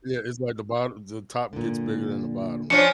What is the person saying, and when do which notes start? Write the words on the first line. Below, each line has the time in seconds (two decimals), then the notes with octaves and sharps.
Yeah, it's like the bott the top gets bigger than the bottom,
1.53 A#2 D3
2.70 F3 C#4 D4 C#5 G#5 C#7